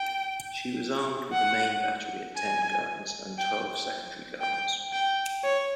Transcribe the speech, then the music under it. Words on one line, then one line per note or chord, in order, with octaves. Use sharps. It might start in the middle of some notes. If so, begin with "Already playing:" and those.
She was armed with a main battery of ten guns and twelve secondary guns.
Already playing: G5
F#5
G#5
G5
G5
G5
C#5